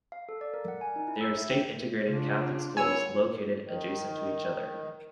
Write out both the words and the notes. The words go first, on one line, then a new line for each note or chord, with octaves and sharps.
They are state integrated Catholic schools located adjacent to each other.
F5
A4
D5
A#4
F#5
G#5
D#4
E4
E6
E5
G5
C#3 D4 F4
B3 C#5 G#5 E6
D#3